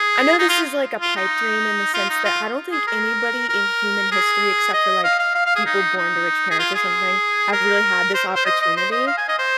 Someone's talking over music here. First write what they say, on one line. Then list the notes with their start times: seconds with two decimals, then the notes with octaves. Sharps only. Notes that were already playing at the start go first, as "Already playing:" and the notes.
I know this is like a pipe dream in the sense that I don't think anybody in human history except for, like, people born to rich parents or something have really had this opportunity,
Already playing: G#4
0.38 D#4
0.49 F4
1.01 F4
1.16 D#4
1.93 F4
2.09 D#4
2.25 F4
2.71 G#4
2.87 A#4
3.49 A#4
4.12 G#4
4.73 D#5
5.04 F5
5.19 F5
5.35 F5
5.46 F5
5.55 G#4
5.66 D#4
5.97 D#4
6.50 G#4
6.59 F4
6.75 G#4
7.52 A#4
8.14 C5
8.35 C5
8.45 D#5
8.61 D#5
8.76 C5
8.92 D#5
9.07 F5
9.18 G#5
9.28 D#5
9.38 C5